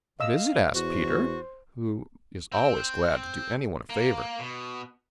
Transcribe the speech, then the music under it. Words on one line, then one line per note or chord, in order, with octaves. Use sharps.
"What is it?" asked Peter, who is always glad to do any one a favor.
D#5 F5 E6
E2 F#4 C5
C4
A#3
B2